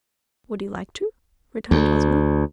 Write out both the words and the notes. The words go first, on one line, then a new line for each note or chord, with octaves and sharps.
"Would you like to?" returned Ozma.
D2